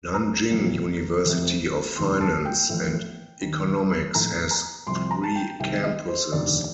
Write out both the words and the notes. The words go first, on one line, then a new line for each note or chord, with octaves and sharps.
Nanjing University of Finance and Economics has three campuses.
A#5
C2 A#2 F3
F1 F2 C3
F1 D#2 D#3 C6
A5
G5
A1 A2 F3
D#2 D#3
A#1 A2 F3 A#5
A#5
C2 C3 F3 C6
A#5
A5
G5
C2 C3 D#3 G5
D#5
C5
F1 D#2 D3 D5